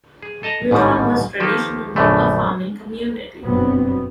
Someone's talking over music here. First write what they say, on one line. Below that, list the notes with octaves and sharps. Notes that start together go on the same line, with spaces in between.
Medon was traditionally a farming community.
G#4
A4 D#5 A5 A#5
A1 G#2 B2 D#3 G3
D#3 F3 A#3 G4 A4 B4
A#1 F#2 B2 D3 A3
F#1 G2 B2 F#3 B3 C4